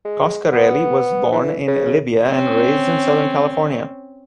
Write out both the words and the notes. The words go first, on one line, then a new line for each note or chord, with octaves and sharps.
Coscarelli was born in Libya and raised in Southern California.
G#3
B3
E3
C#3
C4 C#4